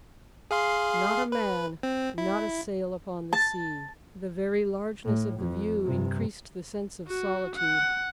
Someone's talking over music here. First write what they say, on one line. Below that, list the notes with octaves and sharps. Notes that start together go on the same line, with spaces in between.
Not a man, not a sail, upon the sea; the very largeness of the view increased the sense of solitude.
G#4 F5 C6
B4
C4
E4
A5 A6
A2
F2
G2 C3
F#4
F#5